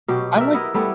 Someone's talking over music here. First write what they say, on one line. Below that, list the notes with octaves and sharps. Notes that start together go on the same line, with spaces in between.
I like
B2 F#3 G4
G4 A#4 D5 E5
B3 E4 A#4 D#5
G3 A3 B3 E4